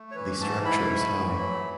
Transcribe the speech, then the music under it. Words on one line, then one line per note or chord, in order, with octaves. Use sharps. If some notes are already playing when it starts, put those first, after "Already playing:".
The structure is high.
Already playing: A3
C#5
E3 B4
G#2 A5
E4 B5
A3
E3
F#3